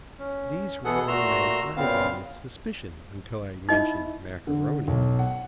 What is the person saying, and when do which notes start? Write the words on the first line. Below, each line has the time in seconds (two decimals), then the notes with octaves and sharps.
These rural men eyed me with suspicion until I mentioned Mac A'Rony.
0.19 C#4
0.84 B2 E3 B3 G#4 A4 F#5
1.08 A#2 A3 F#4 A#5 C6 E6
1.77 F#2 A#2 C#3 B3 C4 F5
3.69 D#4 E4 D#5
4.47 D3
4.87 B1
5.19 F#5